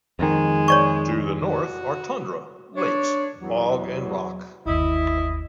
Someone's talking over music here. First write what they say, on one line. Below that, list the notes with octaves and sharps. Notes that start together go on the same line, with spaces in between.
To the north are tundra, lakes, bog and rock.
F2 D#3 G#3
C#5 D5 C#6
F#4
D4 C#5
E2 F#3
G1 D#2 E4 D#5